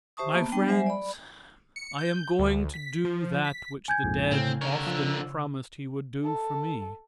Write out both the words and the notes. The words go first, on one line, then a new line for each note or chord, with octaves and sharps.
My Friends: I am going to do that which the dead often promised he would do for me.
G4 C5 E5 A5 C#6 D#6
A#3 B3 A5
G3 B3 D4 G5
F#3 G3 C5 E5 G#5
D5 B5
C#7
G6
D2
B6
F3
B6
G#5 G6 G#6
A#1 F2 G#2
A2 C#3 C4
D3 A#4 C#5
F3 E6
A4